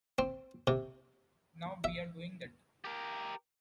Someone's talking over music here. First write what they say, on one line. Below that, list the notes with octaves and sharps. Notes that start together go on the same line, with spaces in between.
Now we're doing that.
C4
C3
E5
G4 A#4